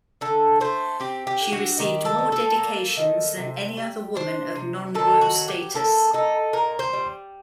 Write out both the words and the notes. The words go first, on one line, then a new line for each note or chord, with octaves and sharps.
She received more dedications than any other woman of non-royal status.
D3 A4
A3 C5
C4 G4
G4
D3
F#4
D#3 G4
A4
G3
A4
A#3
D#3
C3
G3
D4 C5
C3
D#3 A4
F#4
F#3
G4
A#3 A4
D#4 A4
A#2 A#4
C5
G3